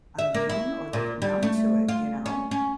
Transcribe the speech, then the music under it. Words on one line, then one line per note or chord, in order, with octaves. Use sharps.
immune or like numb to it, you know.
E5
A#3
E4
A#2
G3
A3
F4
C#4
C#4